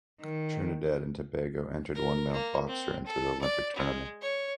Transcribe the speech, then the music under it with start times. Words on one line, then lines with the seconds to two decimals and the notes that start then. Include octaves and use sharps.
Trinidad and Tobago entered one male boxer into the Olympic tournament.
0.20 D#3
1.95 A#4
2.33 A#3
2.67 C4
3.06 A4
3.41 D5
3.76 G#3
4.21 C#5